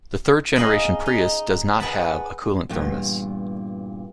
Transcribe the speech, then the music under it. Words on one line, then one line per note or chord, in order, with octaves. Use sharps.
The third generation Prius does not have a coolant thermos.
D#4 G#4 D#5 F5 B5
D#4
G#4 B4 F#5 A5 B5
E2 G2 A#2